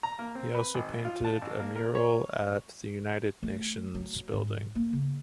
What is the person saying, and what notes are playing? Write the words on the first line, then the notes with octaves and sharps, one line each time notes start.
He also painted a mural at the United Nations building.
A#5
A#3
C4
B4
G#1
F4
A5
A1
A#3
A#4
C#5
A3
F#3
G#2
A#3
C#3